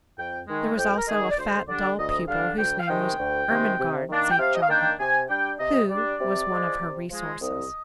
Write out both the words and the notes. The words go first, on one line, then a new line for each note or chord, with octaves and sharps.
There was also a fat, dull pupil, whose name was Ermengarde St. John, who was one of her resources.
F2 G5
D#3 G#3
F2 G5
A#4
D#3 G#3 G#4
D#5
D5
D2 C5
D3 G3 D4 D5
D2 D#5
D3 G3 D4 F5
D2 G5
F5
C3 D#3 G#3 G5
D2
C3 D#3 G#3
C3
D#3 A#3 D4
G5
C3 F5
D#5
F5
D#3 A#3 D4 G5
C3 G#5
G3 D4 G5
C3 D#5
G3 D4 D5
C3
F3 G#3
C3
F3 G#3
C2 D#5